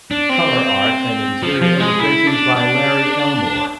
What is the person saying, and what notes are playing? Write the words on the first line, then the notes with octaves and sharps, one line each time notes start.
Cover art and interior illustrations by Larry Elmore.
D4
C4
F3
F3
G#3
E4
D4
D4